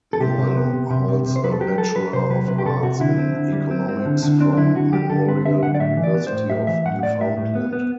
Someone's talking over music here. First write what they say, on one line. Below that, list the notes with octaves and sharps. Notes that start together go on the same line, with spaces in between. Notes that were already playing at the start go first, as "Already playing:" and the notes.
Noel holds a Bachelor of Arts in Economics from Memorial University of Newfoundland.
A4
C3 G4
C3
B3
C3
C3
C3
C3
C5
F#3 B4
A4
F#3 G4
F#3 A4
F#3 B4
C3 C5
F#3 B4
C3 B4
G4
C3 A4
C3 F#4
D3 E4
C4
D3
G3
C4
C4
D3
D3
C4 D4
D4
D3 E4
D3 F#4
G3 G4
D3 A4
C4 B4
D3 E5
D3 F#5
D5
A2 E5
E3
D5
B3
C5
A2
A2 E5
E3 E5
A2 F#5
A2 D5
A2 E5
A2
B3
B3